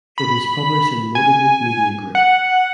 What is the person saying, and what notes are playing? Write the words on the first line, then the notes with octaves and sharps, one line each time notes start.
It is published in Motivate Media Group.
B5
G#5
F#5